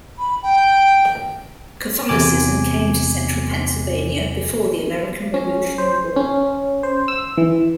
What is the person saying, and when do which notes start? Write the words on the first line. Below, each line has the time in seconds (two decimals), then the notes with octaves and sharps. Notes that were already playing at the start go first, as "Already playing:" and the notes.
Catholicism came to Central Pennsylvania before the American Revolutionary War.
0.18 B5
0.43 G5
2.09 E2 C3 G#5 D6
5.34 C#4
5.78 C5
6.16 C#4
6.83 C5
7.08 E6
7.38 E3